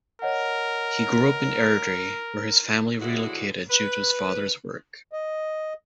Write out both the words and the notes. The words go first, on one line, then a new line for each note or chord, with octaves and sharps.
He grew up in Airdrie, where his family relocated due to his father's work.
A#4 C#5 D#5 F#5
A2 D3 E3 G#3 E4 F#4
B4
D#5